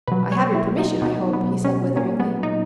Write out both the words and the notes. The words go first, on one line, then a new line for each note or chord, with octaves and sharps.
"I have your permission, I hope?" he said witheringly.
B2 F#3 B4
C#5
E4
D#4
B2 F#3 D#4
B3
C#4
A#2 F#3 C#4
B3
D#4